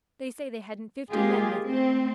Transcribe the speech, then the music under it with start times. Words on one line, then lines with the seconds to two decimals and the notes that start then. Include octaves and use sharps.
They say they hadn't fifty men with them.
1.12 G#3 A#3 F4 G4 G#4
1.67 A3 C4